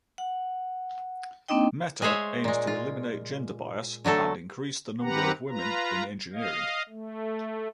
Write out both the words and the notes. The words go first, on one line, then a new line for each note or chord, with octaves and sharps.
Mehta aims to eliminate gender bias and increase the number of women in engineering.
F#5
A#3 C4 D4 D#4 D#5 G5
G#3 G#4 C5 C#5 E5
A#2 G#3
F4
D3 F#3 A3 A4
D#3 C4 G4 B4 F#5 A#5
F4 B4 A#5
D#5 F5
A3